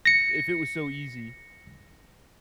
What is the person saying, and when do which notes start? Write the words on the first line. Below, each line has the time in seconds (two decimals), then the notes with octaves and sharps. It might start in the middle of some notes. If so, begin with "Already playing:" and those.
if it was so easy,
0.06 A#6 C#7